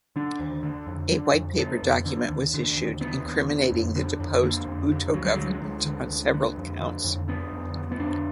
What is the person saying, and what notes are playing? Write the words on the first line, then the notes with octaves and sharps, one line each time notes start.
A white paper document was issued, incriminating the deposed Bhutto government on several counts.
D3 D4
D#2
D3
F2
D3
F2
D3 B3
F2
D3
D#2
D3
D#2
D3 B3
D#2
D3
F2
D3
F2
D3 A#3
F2
D3
D2 F#3
G#3
D3 F#3
G#3
D2
D3
D2
D3
F2
D3
F2
D3 B3
F2
D3
B3
F2 D4